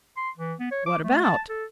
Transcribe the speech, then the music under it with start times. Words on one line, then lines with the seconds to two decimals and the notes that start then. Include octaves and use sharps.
"What about?"
0.17 C6
0.38 E3
0.60 B3
0.71 C#5
0.86 D6
1.03 A3
1.24 A5
1.49 A4